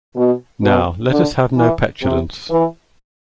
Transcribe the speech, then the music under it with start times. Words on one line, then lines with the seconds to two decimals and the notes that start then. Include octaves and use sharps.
Now, let us have no petulance.
0.17 B2
0.64 B2
1.11 D3
1.57 E3
2.03 C3
2.50 E3